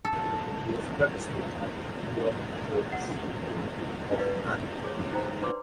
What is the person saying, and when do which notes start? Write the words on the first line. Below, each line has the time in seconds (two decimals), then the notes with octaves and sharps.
He was previously a titular Prince of Antioch.
0.05 A4
2.90 D#5 F#5
4.18 B4 D5 D#5 F5
4.84 G#4 C#5
5.13 D#4 C5 G5 A#5
5.42 D4 B4 D5 C6 D6